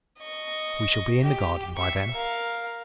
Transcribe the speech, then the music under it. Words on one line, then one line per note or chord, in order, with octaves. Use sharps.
We shall be in the garden by then.'
D#5 C#6
G4
E5 C#6
A#4 F5